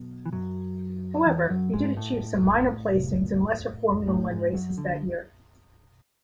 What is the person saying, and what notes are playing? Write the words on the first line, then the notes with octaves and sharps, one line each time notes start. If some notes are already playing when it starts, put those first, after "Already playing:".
However, he did achieve some minor placings in lesser Formula One races that year.
Already playing: B1 B2
E3
F#2 F#3
E2 E3
F#2 F#3
G#2 G#3
A2 A3
A2 A3
G#2 G#3
F#2 F#3
D2 D3